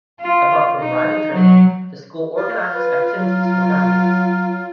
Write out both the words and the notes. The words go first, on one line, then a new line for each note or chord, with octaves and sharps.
Apart from riding training, the school organises activities for families.
F4
D#4
F#3
F4
B4
F#3